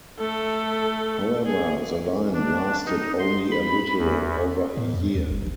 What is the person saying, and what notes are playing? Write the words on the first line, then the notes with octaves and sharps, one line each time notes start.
However, the line lasted only a little over a year.
A3 A4
G#4
D4
D#4
C6
B5
E2
A2
F2
D#2
F#1
C#2